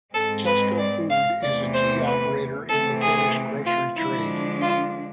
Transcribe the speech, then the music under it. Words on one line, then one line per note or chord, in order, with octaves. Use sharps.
Kesko Food is a key operator in the Finnish grocery trade.
G#2 G#3 C4 A4
B4
D5
F5
E2 C3 E3 A3 D5
C5
B4
C3 E3 A3 C4 A4
G#4
F4
D3 F3 G#3 D4 E4
F4